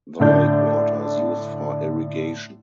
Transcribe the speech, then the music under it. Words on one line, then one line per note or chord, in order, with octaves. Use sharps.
The lake water is used for irrigation.
A2 D3 D4 G6